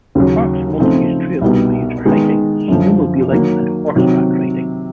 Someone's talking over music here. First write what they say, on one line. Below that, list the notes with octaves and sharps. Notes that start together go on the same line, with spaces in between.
The park's multi-use trails are used for hiking, snowmobiling and horseback riding.
D#2 C#3 F#3
C#3 F3 A3 C4 D#4
C2 B2 G3 B3 D#4
D#3 G#3 B3 D#4
F#2 D3 F3
D#3 F#3 A#3
C3 D#3 F#3